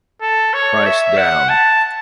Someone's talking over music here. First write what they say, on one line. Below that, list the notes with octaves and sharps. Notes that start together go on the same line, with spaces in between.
Price down.
A4
C#5
E5
F#5
A5